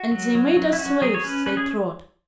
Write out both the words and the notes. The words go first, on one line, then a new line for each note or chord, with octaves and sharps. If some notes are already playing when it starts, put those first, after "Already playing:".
"And they made us slaves," said Trot.
Already playing: F#4
F#3
F#3
F#3
E4
C#4 F#4
F#3 G#4
C#5
C#4 B4
C#4 B4
G#4